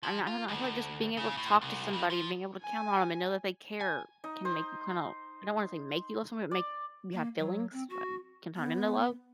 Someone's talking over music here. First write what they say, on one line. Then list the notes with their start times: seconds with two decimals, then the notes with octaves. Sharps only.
And I don't know, I feel like just being able to talk to somebody and being able to count on them and know that they care can make you kind of I don't wanna say make you love someone, but make you have feelings that can turn into love.
0.03 F3
0.27 F4
0.48 D2
1.17 C#3
1.37 A2
1.61 C2
1.93 F2
2.10 F3
2.62 G#5
3.81 G#5
4.24 D#4
4.45 C5
6.51 D5
7.13 A#3
7.38 F#3
7.72 C4
7.89 F#4
8.57 B3